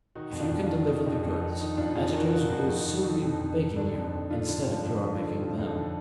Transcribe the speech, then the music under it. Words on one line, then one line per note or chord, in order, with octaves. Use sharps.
If you can deliver the goods editors will soon be begging you instead of your begging them.
D#3 D#4 F#4
F2
D4 F4
F2
D4 F4
D#3
D#3 D#4
F2
F2
D#3
D#3 D#4
F2 D4 F4
F2 F4 G#4
D#3 F#4 A#4
D#3 D#4 F#4
F2 D#4 F#4
F2 D#4 F#4
D#3
D3 D#4
F2
F2
D3
D3 D4
F2
F2 D#4
D3 D4 F4
D3
F2
F2
D3
F4
D3 D#4
F2
F2
D3